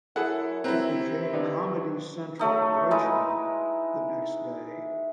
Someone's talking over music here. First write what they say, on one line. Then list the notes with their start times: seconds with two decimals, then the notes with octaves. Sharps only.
It became Comedy Central Deutschland the next day.
0.16 F#2 E4 G#4 A4 F#5
0.64 C4 E4 B4 A#5
0.99 C3
1.33 G2 D3 D4 D#4
2.39 F#3 A3 D#4
2.91 G#3 D#4 E4 B4